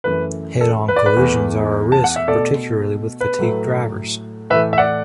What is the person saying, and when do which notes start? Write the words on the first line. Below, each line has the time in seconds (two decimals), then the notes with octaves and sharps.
Head-on collisions are a risk, particularly with fatigued drivers.
0.04 F#2 E3 A3 B4
0.61 A4
0.88 B4
0.96 D5
1.06 B4
1.17 E2 E3 A3
1.92 A5
2.04 F#5
2.16 E5
2.28 B2 A3 A4 D5
3.21 B4
3.38 A2 F#3 A3
4.50 A2 E3 A3 B4 E5
4.73 E5
4.78 D5 F#5